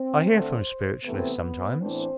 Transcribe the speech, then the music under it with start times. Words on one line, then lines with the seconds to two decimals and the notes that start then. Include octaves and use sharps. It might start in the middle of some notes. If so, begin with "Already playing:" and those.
I hear from spiritualists sometimes.
Already playing: C4 C5
0.30 D3 A3 C4
1.05 C3 E3 A3 B3 C4 B4
1.80 A2 E3 B3 C4 D4 C5